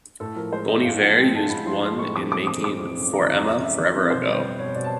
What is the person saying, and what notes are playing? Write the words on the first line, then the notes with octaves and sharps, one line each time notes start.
Bon Iver used one in making "For Emma, Forever Ago".
A2 A4
F3 A#4
G#3 C5
A2 D#5
A2 F5
F3 F#5
G#3 G5
A2 A5
A2 B5
F3 C6
G#3 C6
A2 C#6
F2 D6
C#3 D6
D#6
E3 D6
F2 D6
F2
C#3
E3 A#5
F2
A#5
F2
C#3 E5
E3 D5
F2
B2 C5
G3 B4
B3
B2 C#5
B2 D5
A5